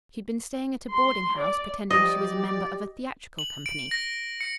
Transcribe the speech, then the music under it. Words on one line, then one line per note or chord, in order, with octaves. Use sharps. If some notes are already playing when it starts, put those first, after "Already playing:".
She'd been staying at a boarding-house pretending she was a member of a theatrical company.
C6
D5
F3 G3 G4 D5 D#5
F#7
D7
A#6
C#7